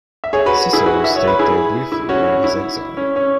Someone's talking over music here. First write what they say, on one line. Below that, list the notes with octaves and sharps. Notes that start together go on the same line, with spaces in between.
Cicero stayed there briefly during his exile.
E5
G#4 C#5
F#4 B4
E4 G#4
F#4 B4
E5
C#5
B4
E4 G#4
E4
C#4 F#4
C#4
E4
C#4
C#4